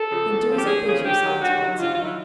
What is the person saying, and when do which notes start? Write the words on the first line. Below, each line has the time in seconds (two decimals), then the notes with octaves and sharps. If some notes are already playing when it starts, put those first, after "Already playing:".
"Then do as I bid you, Silas Watson."
Already playing: A4
0.11 C#3 F3
0.30 E2
0.48 C#3 F3
0.59 G4
0.67 E2 G#4
0.86 C#3 F3 G#4
1.04 G2 G4
1.23 D#3 F#3
1.42 G2 F#4
1.60 D#3 F#3
1.79 G2 F4
1.91 F4
1.98 D#3 F#3
2.04 E4